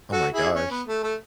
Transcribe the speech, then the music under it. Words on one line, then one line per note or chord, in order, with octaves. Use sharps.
Oh my gosh.
F#4 A4
E4 G#4
C#4
B3
A3
A3